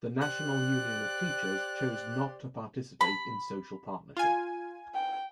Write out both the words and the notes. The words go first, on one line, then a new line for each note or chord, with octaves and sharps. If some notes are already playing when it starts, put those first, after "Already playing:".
The National Union of Teachers chose not to participate in social partnership.
G4 C5 D5 F#6
B5
F4 G#5
G5